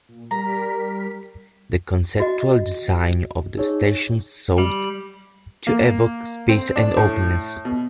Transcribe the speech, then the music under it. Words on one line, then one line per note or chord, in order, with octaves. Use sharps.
The conceptual design of the stations sought to evoke space and openness.
A#2
G3 A#4 A#5 B6
F#4 D#5
D#4 G#4 C#5
G3
A#3
C4
D4
A2
B2